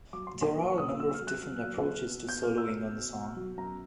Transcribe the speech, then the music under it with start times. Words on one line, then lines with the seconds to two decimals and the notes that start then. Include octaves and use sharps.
There are a number of different approaches to soloing on the song.
0.13 F#3 D6
0.27 C6
0.34 A#2
0.41 C6
0.56 F#3
0.67 C#6
0.78 A#2 D#6
0.88 E6
1.00 F#3 E6
1.14 F6
1.21 F#3
1.27 F#6
1.43 F#3
1.63 F#3
1.86 B2
2.07 B2
2.28 B2 G6
2.43 F6
2.50 B2
2.58 E6
2.71 B2
2.93 B2
3.15 B2
3.36 F#3
3.57 F#2 A#5